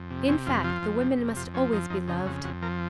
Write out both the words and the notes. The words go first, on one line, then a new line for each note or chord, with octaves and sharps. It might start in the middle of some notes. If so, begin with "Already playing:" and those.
In fact, the women must always be loved.
Already playing: F2
C3
C3 C#4
F2 F4
F3 F4
F2
C3
F2
F2 F4
F3 C#4
F2 D#4
F2 D#4
C#3 D#4
F2 F#4
F2 F#4
F3 A#4